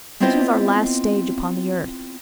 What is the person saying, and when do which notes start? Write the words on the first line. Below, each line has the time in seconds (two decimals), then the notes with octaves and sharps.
This was our last stage upon the earth.
0.20 B3 C4 E4 F4 C5 D#5